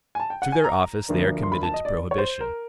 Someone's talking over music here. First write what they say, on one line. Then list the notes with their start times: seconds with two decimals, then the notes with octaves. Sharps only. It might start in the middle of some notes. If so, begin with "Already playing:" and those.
Through their office they are committed to prohibition.
0.15 G#5
0.20 A5
0.30 G5
0.42 F#5
0.52 G#5
0.64 A#5
1.08 D2 D3 F3 A#3 D4
1.43 C6
1.52 B5
1.63 A5
1.74 D#5
1.85 D5
2.11 C#5
2.18 C5
2.40 A#4